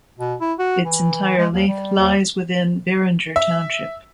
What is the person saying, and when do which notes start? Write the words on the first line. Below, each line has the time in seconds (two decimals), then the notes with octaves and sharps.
Its entire length lies within Bearinger Township.
0.19 B2
0.41 E4
0.59 F#4
0.85 E3
1.38 G#3
1.53 D#2
1.68 G3
1.98 D#2
3.36 E5